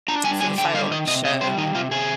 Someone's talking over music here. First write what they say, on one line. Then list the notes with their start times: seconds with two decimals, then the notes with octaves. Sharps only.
for the fireworks show,
0.08 D4 A#5
0.24 G3 G#5
0.41 D3 G#5
0.58 D3 G5
0.74 G3 F5
0.91 D#3 D#5
1.07 C3 D#5
1.24 C3 D#5
1.41 G3 C5
1.57 D#3 D#4
1.75 C3 F4
1.91 C3 G#4